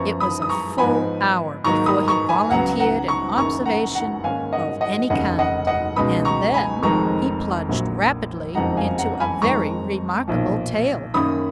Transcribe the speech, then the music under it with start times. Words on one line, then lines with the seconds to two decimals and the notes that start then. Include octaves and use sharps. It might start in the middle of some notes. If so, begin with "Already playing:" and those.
It was a full hour before he volunteered an observation of any kind, and then he plunged rapidly into a very remarkable tale.
Already playing: F#2 F3 B3 A#5 C#6
0.20 B5 D#6
0.42 D#6
0.49 A#5 C#6
0.78 G#2 F3 B3 D#4 G#5 B5
1.64 G#2 D#3 F#3 A#3 D#4 A#5 C#6
1.86 B5 D#6
2.08 A#5 C#6
2.29 G#5 B5
2.51 C#2 C#3 F#3 B3 F#5 A#5
2.79 F#5 A#5
3.08 A#5 C#6
3.37 F#1 F#2 D#3 A#5 C#6
3.66 F#5 A#5
3.95 F#5 A#5
4.24 G#2 D#3 A#3 C#4 F5 G#5
4.53 D#5 F#5
4.81 D#5 F#5
5.10 F1 D#2 C#3 D#5 F#5
5.39 D#5 F#5
5.67 D#5 F#5
5.96 C#2 B2 G#3 B3 D#4 B5 D#6
6.25 A#5 C#6
6.54 G#5 B5
6.82 F1 F2 D#3 G#3 D#4 A#5 C#6
7.69 A#1 A#2 F#3
8.55 F#1 F2 F3 G#3 D#4 F#5 A#5
8.77 F5 G#5
8.98 F#5 A#5
9.20 G#5 B5
9.42 F2 D#3 G#3 A#5 C#6
10.28 B1 A#2 F3
11.14 F#2 D#3 A#3 C#4 B5 D#6